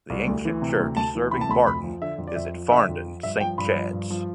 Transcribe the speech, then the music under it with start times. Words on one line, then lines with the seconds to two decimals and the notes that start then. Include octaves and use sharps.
The ancient church serving Barton is at Farndon, Saint Chad's.
0.10 C2
0.28 D2
0.45 E3
0.62 C3
0.80 D2
0.97 D2 A5
1.15 E3
1.31 C3 B5
1.41 A5
1.49 D2 B5
1.67 F2 B5
1.84 F3
2.02 D3 E5
2.18 F2
2.27 D5
2.36 F2 E5
2.54 F3
2.71 D3 E5
2.89 F2
3.06 F3
3.23 G2 E5
3.40 F3 G5
3.58 G2 B5
3.76 F3
3.93 G2
4.10 F3